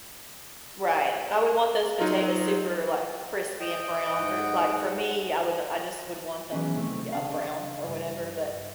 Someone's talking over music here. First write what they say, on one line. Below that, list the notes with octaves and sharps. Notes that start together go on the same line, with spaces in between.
Right, I would want those potatoes super, like, crispy and brown for like, for me, I would I just would want them Yeah, brown or whatever, but
F#3 D#4 F4 A#4
D#5 G5
G#2 F#5
E3 F#3 B3 C#4 G#4
C2 C3 D#3 A3 C4
C#3 D4 D5 F5
G2